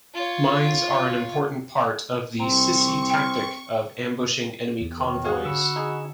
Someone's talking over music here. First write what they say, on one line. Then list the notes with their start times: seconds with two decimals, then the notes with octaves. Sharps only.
Mines are an important part of the Sissi tactic of ambushing enemy convoys.
0.14 F4 C#5
2.40 C2 C4 A#5 C#6
3.10 G5 F6
4.81 E2
4.98 D#2 D#3
5.25 F#4 G#4 C#5 F5
5.45 D3 B5 C#6 E6
5.76 D#4 G#4